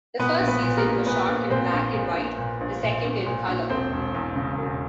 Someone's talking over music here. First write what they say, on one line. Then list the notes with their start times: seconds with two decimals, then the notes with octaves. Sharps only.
The first season was shot in black and white, the second in color.
0.19 A#2 B3 B4
0.40 A#1
0.48 B3 B4
0.62 A#2
0.77 A#3 A#4
0.85 A#1
1.06 A#2 B3 B4
1.29 A#1
1.50 A#2 C4 C5
1.73 A#1
1.94 A#2
2.16 A#1
2.38 A#2
2.61 A#1
2.83 A#2
3.05 A#1
3.26 A#2
3.48 A#1
3.70 E1 C4 C5
3.92 E1
4.15 E2
4.36 C#3
4.58 E1